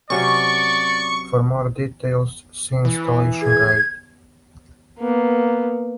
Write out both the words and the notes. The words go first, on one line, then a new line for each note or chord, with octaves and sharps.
For more details, see the Installation Guide.
C3 F#3 C#4 D5 C#6
E3
G#4 G#6
A#3 B3